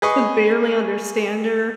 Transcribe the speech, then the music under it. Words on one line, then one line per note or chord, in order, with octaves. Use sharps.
you could barely understand her,
G#4 B4 D#5 C#6